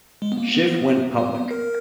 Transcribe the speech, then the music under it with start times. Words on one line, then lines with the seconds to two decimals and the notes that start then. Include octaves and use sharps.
Schiff went public.
0.22 G#3
0.32 B3
0.37 A#3
0.54 B3
1.18 B3
1.34 B3
1.51 A#4